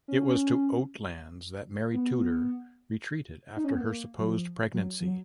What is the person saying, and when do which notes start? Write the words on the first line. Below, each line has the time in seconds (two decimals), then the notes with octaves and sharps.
It was to Oatlands that Mary Tudor retreated after her supposed pregnancy.
0.08 C#4
1.94 B3
3.56 D#4
3.64 C#4
3.72 B3
3.81 A#3
4.19 F#3
4.27 F3
4.74 F#3
5.00 F3
5.05 F#3